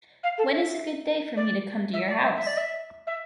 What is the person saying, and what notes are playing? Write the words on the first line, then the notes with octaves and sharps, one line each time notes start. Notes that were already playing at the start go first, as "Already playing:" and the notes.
When is a good day for me to come to your house?
F5
A4
E5
D5
E5
D5
E5
E5
D5
E5
E5